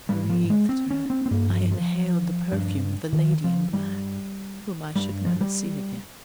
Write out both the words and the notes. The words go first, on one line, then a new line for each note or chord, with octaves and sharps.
I breathed her--I inhaled the perfume of the lady in black, whom I should never see again.
G#2 G3
F3
G#3
C4
C#4
C4
C4
G2 A#3
F3
F3
G2
D#3
F3
G2 G3
G2 G3
F3
G3